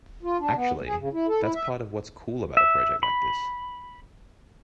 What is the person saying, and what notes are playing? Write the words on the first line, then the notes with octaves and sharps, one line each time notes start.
Actually that's part of what's cool about a project like this.
F4
D4
B3
D2
G#4
C#3
E4
A4
E4
E5
E5
B5